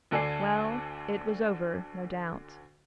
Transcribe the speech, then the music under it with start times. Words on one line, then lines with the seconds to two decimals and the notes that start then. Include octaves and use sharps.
Well, it was over, no doubt.
0.11 D2 D3 A4 D5 G#5 C7